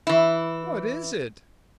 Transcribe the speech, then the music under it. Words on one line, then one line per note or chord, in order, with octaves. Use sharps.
"What is it?"
E3 E4